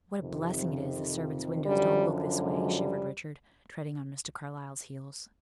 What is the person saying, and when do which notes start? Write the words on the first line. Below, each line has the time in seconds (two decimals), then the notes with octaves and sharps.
"What a blessing it is the servants' windows don't look this way," shivered Richard, treading on Mr. Carlyle's heels.
0.18 F2 C3 D#3
1.64 F#2 D3 F3 G3
2.38 F#3 G#3
2.74 G3